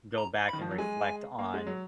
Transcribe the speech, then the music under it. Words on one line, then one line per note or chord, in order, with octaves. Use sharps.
go back and reflect on,
A#5
B5
D#3
F3
F#3
G#3 G#5
A#3
G#3
F#3